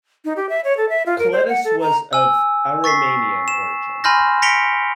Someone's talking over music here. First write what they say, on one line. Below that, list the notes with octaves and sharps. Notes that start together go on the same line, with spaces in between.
Kolettis was of Aromanian origin.
D#4
G4
E5
C#5
A4
E5
F4
A#4
C5
F#5
A4
A#5
G#5 E6
C#6 A6 B6 C7
E7
G#5 B5 C6 F6 G6 A#6
A#6 B6 C#7 D7 F7 G7